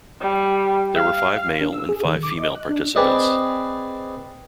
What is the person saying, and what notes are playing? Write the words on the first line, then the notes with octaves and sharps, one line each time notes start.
There were five male and five female participants.
G3
F5
D4
E6
G#4
D#3
D6
D#5
F#6
D4
C4 G#4 B4 D5 D#5